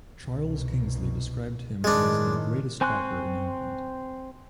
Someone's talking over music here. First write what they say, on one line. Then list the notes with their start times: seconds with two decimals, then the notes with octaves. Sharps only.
Charles Kingsley described him as "the greatest talker in England".
0.24 C2 B2
1.84 A2 D#3 G#3 D4
2.81 C4 G#5 C6 C#6 F#6